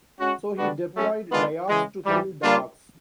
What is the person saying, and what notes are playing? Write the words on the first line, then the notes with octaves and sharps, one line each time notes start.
So he deployed Dayaks to kill Dayaks.
G#3 C#4 F#4
D3 G3 B3 D4 F#4
F#3 A3 C#4
D#3 G#3 B3 D4 F4
C#3 E3 G#3
G#2 E3 G3
G3 A#3 D4 F4